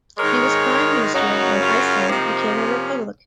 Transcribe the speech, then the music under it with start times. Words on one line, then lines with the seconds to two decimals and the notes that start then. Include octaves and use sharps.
He was prime minister when Iceland became a republic.
0.18 G#2 D#3 G#3 A#4 C#5
1.13 F#2 C#3 F#3 D#4 F#4
1.61 C#4 F4
2.08 C3 F3 A#3 C4 D#4
2.56 C#4